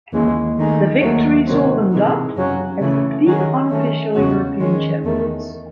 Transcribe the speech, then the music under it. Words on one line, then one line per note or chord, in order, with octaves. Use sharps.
The victory saw them dubbed as the unofficial European Champions.
D#2 C#3 E3 G#3
D#3 A3 D#4 G#4
D#2 D#3 F#3 A3
C3 D#3 F#3 C4
C3 E3 G#3 D#4
F#2 C#3 F#3 C#4
C#3 E3 A3
D#3 F#3 C#4 G#4
D#3 A3 C#4
E2 C#3 G#3 C#4 F#4
D#3 G#3 C#4
E2 D#3 A3